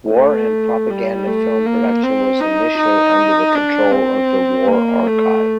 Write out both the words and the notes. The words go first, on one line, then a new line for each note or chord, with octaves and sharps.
War and propaganda film production was initially under the control of the war archive.
A3
G3
A3
A#3
C4
D#4
D#4
D4
C4
A#3
A3